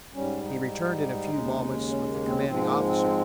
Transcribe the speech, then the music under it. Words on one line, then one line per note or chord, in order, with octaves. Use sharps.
He returned in a few moments with the commanding officer.
G#2 G3 C#4
D#4
D#2 C#3 G#3
C#4
A#3
C4
C#4
G#2 F3 G#3 C4
A#3
C4